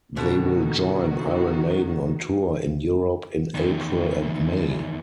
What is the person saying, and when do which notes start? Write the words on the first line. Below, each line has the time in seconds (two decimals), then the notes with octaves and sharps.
They will join Iron Maiden on tour in Europe in April and May.
0.17 B2 D3 D#3 F#4
3.54 E2 D#3